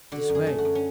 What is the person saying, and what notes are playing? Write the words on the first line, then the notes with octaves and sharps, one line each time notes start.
"This way."
D3 F#4
F#2
G#4
A3
F#4
F#2
C#4